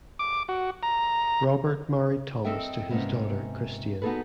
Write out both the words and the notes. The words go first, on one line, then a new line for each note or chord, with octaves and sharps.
Robert married Thomas to his daughter Christian.
D6
F#4
A#5
C4 A4 A#4 D#5 E5 G5
G#2 C3 A#3 B3 C#4
B3 D#4 F#4 G#4 A4 B4